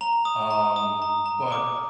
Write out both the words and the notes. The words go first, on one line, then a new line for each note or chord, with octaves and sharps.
um, but
A#5 F7
D#6
A#5
D#6
A#5
A#5
D6